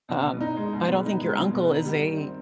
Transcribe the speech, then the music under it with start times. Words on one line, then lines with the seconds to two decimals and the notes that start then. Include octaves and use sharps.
Um, I don't think your uncle is a
0.09 B2
0.25 B3
0.41 D#4
0.57 G#3
0.73 B2
0.89 B3
1.05 D#4
1.21 G#3
1.37 B2
1.53 B3
1.70 D#4
1.85 G3
2.01 D#3
2.17 C4